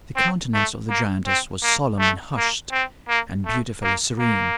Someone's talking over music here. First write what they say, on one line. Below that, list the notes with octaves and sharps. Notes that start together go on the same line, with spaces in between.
The countenance of the giantess was solemn and hushed, and beautifully serene.
C4
A3
A#3
C4
A#3
A3
A#3
C4
A#3
A3
A#3
A#3